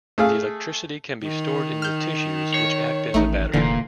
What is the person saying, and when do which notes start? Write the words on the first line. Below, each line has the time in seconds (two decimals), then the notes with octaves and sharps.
The electricity can be stored in the tissues, which act as a battery.
0.18 A3 G#4 F5
1.23 D#3
1.82 F6 G6
2.54 C#5
3.14 A1 A3 D#4
3.54 F1 A#2 D3 E3